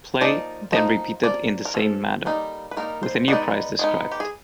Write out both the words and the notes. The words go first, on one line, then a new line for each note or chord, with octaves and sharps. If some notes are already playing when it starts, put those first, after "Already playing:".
Play then repeated in the same manner, with a new prize described.
F3 A#3 D#4 D5
F3 A#3 D#4 D#5
F3 A#3 D5
A#4
F3 A#3 C#4 A4
G3 A#3 D#4
B4
G3 A#3 D#4 A#4
C5
G#3 B3 D#4 D5
G#3 B3 D#4
G4
G#4